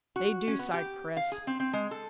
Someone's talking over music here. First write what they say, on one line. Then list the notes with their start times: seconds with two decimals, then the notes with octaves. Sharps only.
"They do," sighed Chris.
0.16 F#4
0.48 C#4
0.59 B3
0.74 G4
1.17 F5
1.32 G#4
1.47 C4
1.60 C4
1.73 G#3
1.91 A4